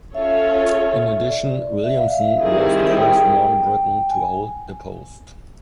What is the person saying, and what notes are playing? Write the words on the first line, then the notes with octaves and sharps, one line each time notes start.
In addition, Williamson was the first non-Briton to hold the post.
C#4 F4 A4 C#5 E5
D5
E5
F5
E5
D#3 G3 C4 E4 G#4
G5
G#5